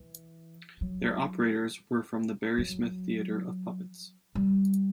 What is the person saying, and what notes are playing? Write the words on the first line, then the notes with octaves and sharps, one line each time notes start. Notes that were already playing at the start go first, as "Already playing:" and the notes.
Their operators were from The Barry Smith Theatre of Puppets.
Already playing: E3
F#3
F#3
G3